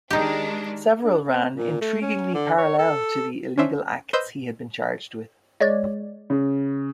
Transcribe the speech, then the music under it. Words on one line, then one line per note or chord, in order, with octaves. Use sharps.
Several ran intriguingly 'parallel' to the illegal acts he had been charged with.
D#3 G#3 D4 D#4 G4
D4
C4
A#2
A3
C#4
D3
C#5
A4
C#4 D4 C5 E5
B4 C5 D#5 C6 E6 G6
G#3 C#5 D5
C#3